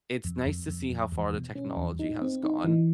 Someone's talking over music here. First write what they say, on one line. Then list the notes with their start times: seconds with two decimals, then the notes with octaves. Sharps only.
it's nice to see how far the technology has gone,
0.24 F2
0.46 F2
0.68 F2
0.90 F2
1.12 E2
1.34 B2
1.55 C#4
1.77 E2
1.99 D#4
2.22 C4
2.44 D#4
2.64 E3